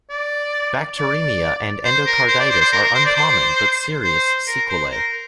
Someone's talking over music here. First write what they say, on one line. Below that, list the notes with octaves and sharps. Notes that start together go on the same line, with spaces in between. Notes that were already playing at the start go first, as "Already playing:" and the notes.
Bacteremia and endocarditis are uncommon but serious sequelae.
D5
D5
C5
A#4
C5
D5
C5
C5
A#4
A#4
C5
D5
C5
C5
A#4
C5
A#4